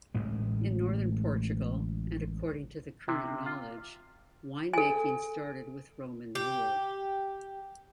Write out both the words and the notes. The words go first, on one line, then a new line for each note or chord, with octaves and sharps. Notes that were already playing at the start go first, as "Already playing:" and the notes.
In Northern Portugal, and according to the current knowledge, wine-making started with Roman rule.
A1 D2 A2 G#3
C3
F4
A4 G#5
G4